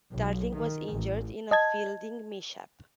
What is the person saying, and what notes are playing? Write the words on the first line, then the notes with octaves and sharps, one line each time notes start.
Darling was injured in a fielding mishap.
B1
D#3
A1
D#5 A5 G#6